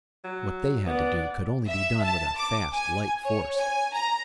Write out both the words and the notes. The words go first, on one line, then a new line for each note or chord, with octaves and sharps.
What they had to do could only be done with a fast, light force.
F#3
B3 D5 F#5
E5
A5
D6
G#5
C#5
G#5
A#5